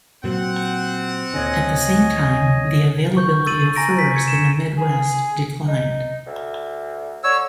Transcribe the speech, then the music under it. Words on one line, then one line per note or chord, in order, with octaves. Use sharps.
At the same time, the availability of furs in the Midwest declined.
A#2 F#3 C4 F#5
D2 A#2 D3 C#5 D#5 G#5
C#6 G6
E6 A6 D#7 F#7
G#5 A#5 A#6 D7
B6
G#6 C#7
E7
G#4
D#4
D2
D3 C#5 E6